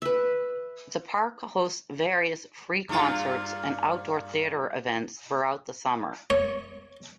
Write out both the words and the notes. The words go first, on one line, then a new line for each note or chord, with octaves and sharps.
The park hosts various free concerts and outdoor theater events throughout the summer.
B4 E5
G2 A#2 F4
C#5